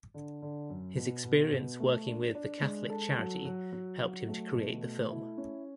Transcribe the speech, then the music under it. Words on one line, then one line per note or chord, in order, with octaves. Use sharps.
His experience working with the Catholic charity helped him to create the film.
D3
D3
F#2
B2
B2
B2
A3
D4
D4
G#3
A4
F#3
F#3
F#3
F#3
A3
B2
A3
E4
C#4